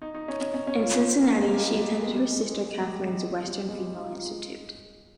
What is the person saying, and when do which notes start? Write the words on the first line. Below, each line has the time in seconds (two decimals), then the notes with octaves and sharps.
In Cincinnati she attended her sister Catharine's Western Female Institute.
0.02 D#4
0.14 D#4
0.28 C#4
0.40 C#4
0.54 C#4
0.67 C#4
0.80 F4
0.94 C#4
1.07 C4
1.21 A#3
1.34 G#3
1.48 G3
1.56 A#3
1.60 G#3
1.74 G3
1.87 G#3
2.00 G#3
2.13 G3
2.31 G#3
2.49 G#3
2.66 G#3
2.80 G3
2.93 G#3
3.06 G3
3.19 G#3
3.46 G3
3.69 G#3
3.73 G3
3.85 G#3
3.93 D#4
3.98 F4
4.12 F4
4.25 G#3